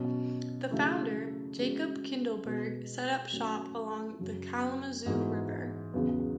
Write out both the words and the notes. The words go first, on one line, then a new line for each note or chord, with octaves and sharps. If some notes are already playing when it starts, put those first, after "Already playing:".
The founder, Jacob Kindleberger set up shop along the Kalamazoo River.
Already playing: B2 F#3 C#4
C#3 F#3 A3 E4
C#3 G#3 C#4 F#4
B2 G#3 B3 F#4
F#3 A3 C#4 F#4
F#2 C#3 F#3
G#2 E3 B3 F#4
E2 C#3 F#3 B3